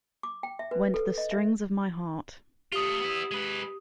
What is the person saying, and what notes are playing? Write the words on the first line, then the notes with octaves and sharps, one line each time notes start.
Went the Strings of My Heart.
D6
G5
E5
B4
A4
D#5
E5
A3 F4 G4 D#6
B3 E4
G#3 B4